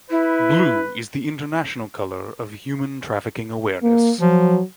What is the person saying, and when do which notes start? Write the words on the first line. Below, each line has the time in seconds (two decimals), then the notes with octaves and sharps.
Blue is the international color of human trafficking awareness.
0.10 E4 B4
3.83 A#3
4.20 F3 F#3